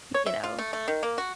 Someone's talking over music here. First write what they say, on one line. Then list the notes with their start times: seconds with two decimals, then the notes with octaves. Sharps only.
you know,
0.14 C#5
0.26 E5
0.44 F4
0.59 A3
0.73 A3
0.88 D#3
1.03 A#3
1.18 F#4